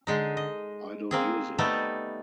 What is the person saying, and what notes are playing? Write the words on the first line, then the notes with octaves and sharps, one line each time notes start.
I don't use it.
D3 G#3 D#4
D#5
A#3 C4 G#4
G3 A3 B3 D#4 A4